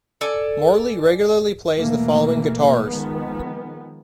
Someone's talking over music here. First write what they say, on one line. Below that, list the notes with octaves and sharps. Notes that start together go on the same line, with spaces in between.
Morley regularly plays the following guitars.
A4 D5 G#5
B2 E3 A3 A#3
D#3 F3 G#3 B3